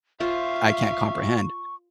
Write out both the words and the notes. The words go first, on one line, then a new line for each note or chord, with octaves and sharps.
I can't comprehend.
F4 C5 E5 F5 C#6